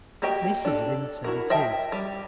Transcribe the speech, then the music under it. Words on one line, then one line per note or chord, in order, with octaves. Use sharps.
Mrs. Lynde says it is.
A#3 F#4 G4 D#5 G5
D4 A4
E4 F#4 A#4
D#5 E5 G5 A5
G3